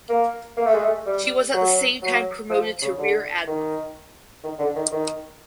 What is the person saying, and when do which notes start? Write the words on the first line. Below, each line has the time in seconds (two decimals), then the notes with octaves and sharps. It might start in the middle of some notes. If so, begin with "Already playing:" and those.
She was at the same time promoted to rear admiral.
0.09 A#3
0.57 A#3
0.66 A3
0.74 G#3
0.82 A3
1.06 G3
1.54 F#3
2.02 F#3
2.50 F3
2.82 C#3
2.98 D3
3.47 D#3
4.44 D#3
4.59 D3
4.76 D#3
4.92 D#3